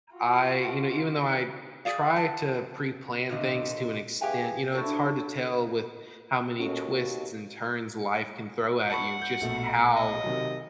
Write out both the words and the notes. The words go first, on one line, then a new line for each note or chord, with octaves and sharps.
I you know, even though I try to pre-plan things to an extent, you know, it's hard to tell with how many twists and turns life can throw at you, just how,
F4 F#4
G#4 D5 F5
A5
A#2 D3 D#3 C4 D#5
G4 G#4 B4 F5 G5 G#5
D4 E4 F#4 A4 C#5
D#2 A#3 C#4 F#4 A4
F#5 A5 B5 C#6
G6
A#1 B2 A3
D#5
C3 D#3 F#3